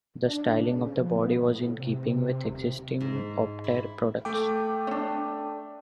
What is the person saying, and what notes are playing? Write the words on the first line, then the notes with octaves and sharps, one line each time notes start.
The styling of the body was in keeping with existing Optare products.
D4
C#3
F3
B3
A2
C3
D#1
C3
G#2
E4
A3 G5 D6
C#4 D4